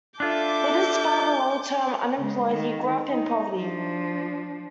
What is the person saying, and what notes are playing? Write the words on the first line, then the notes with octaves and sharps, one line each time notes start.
With his father long-term unemployed, he grew up in poverty.
D4 F4 A4 E5 D6 G6
C#3 G#3
D#3
D#4
F3 D4